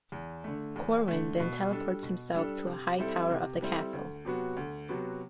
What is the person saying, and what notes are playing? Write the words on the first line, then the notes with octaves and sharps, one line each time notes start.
Corwin then teleports himself to a high tower of the castle.
E2
D3 A3
E2
D3 A3
B2
G3 D4 A4
B2
G3 D4 A4
C3
G3 C4 E4 A4
C3
G3 C4 E4 A4
D2
C3 F#3 B3 F#4
D2
C3 F#3 B3 F#4